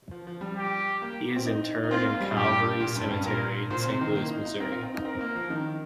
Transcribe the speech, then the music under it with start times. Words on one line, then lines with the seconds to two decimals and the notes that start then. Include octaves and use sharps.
He is interred in Calvary Cemetery in Saint Louis, Missouri.
0.11 F3
0.27 F3
0.41 G3
0.57 G4
1.02 A#3
1.36 C4
1.45 D#4
1.83 D#4
1.91 C4 F4
2.06 A#3
2.20 G3
2.31 A#2
2.36 G2 G4
2.80 A#2
2.96 G2
3.10 G2
3.25 A#2 A#4
3.70 A#2 C5
3.86 C3
4.01 D#3
4.15 A#3
4.31 D#4
4.45 D#4
4.60 C4 A#4
4.72 F4
4.83 C4
4.94 D#4
5.05 C4 A#4
5.21 A#3
5.35 F3
5.50 D#3